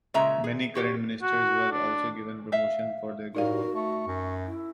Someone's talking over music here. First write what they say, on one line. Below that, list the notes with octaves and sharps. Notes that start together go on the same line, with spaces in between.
Many current ministers were also given promotion for their good work.
A#2 C#3 G#3 E5 A#5
G#4
F#4 G4 C#5
F#4
D4
E5 F5
A2 D#4 F#4 A#4 D5 F5
A3 C#6
F#2
E4